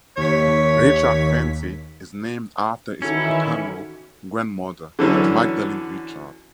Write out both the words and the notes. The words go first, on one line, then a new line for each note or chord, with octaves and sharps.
Richard Fancy is named after his paternal grandmother, Magdelene Richard.
D#2 C#5 B6
D#3 E3 C#4 D#4 E4 F#4 A4
D3 E3 F#3 C#4